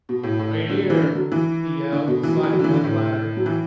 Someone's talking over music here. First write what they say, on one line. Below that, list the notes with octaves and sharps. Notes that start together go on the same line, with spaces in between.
"Wait here," he yelled, sliding down the ladder.
B2
A2
A2
D3
F#3
E3
D3
F#3
E3
D3
B2
E3
F#3
E3
F#3
D3
E3
D3
A2
F#3
E3